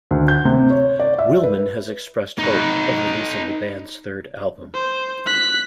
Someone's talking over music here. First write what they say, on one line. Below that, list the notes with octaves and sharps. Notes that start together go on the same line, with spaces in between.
Willman has expressed hope of releasing the band's third album.
D2
G6
C3
C#5
D5
E5
B4
D#4 B4
C5
F#6 B6